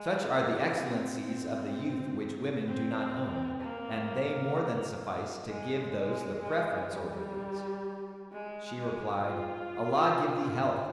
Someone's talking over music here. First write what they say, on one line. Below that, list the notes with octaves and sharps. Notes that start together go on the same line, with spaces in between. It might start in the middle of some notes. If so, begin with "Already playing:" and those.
Such are the excellencies of the youth which women do not own, and they more than suffice to give those the preference over these.' She replied, 'Allah give thee health!
Already playing: G#3
A#3
C4
C4
C4
A#3
G#3
G#3
G#3
G3
G#3
G#3
F4